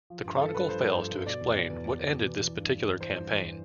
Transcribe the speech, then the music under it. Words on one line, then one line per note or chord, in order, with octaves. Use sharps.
The chronicle fails to explain what ended this particular campaign.
F3
G2
F3 A4
G2 B4
F3 C5
G2
F3
G2
B2 D5
E2
B2
E2
B2
E2
B2
E2
E3
G2
E3
G2
E3 C5
G2
E3